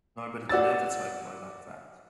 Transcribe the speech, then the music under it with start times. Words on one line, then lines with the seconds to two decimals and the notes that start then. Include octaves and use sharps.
Nobody can ever take away that fact.
0.49 F#4 D5 E6 A6